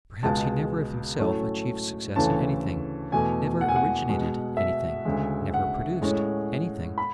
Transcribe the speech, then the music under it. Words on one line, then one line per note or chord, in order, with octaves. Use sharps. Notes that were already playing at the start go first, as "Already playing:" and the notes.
Perhaps he never of himself achieved success in anything, never originated anything, never produced anything?
C#2 B2 G#3 A5
A2 F#3 A3 C#4
D2 C#3 E3 A3 C#4 A5
E2 B2 A3 G#5
F#5
G#5
F#5
B2 G#3 B3
E5
D2 C#3 G#3
F#5
A2 G#3 C#4
B5